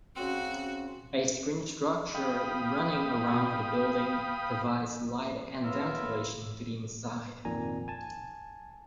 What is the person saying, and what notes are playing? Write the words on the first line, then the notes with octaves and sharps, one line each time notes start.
A screen structure running around the building provides light and ventilation to the inside.
C#3 C4 F#4
F5 G5 B5 D#6
F#3 B3 E4 F4 A#4 E5
G#1 F2 A#2 D#3 G#5 A#5
G#5 A5